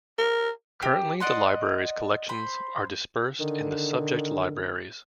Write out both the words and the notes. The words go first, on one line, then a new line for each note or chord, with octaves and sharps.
Currently, the library's collections are dispersed in the subject libraries.
A#4
G4
D5 D#5 F#5 C6
C5 B5
D3 D#3